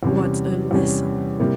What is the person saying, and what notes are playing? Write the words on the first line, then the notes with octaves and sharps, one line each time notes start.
What a lesson!
E2 C3 G3 C#4
E2 C3 G3 C#4
C3 G3 A#3 E4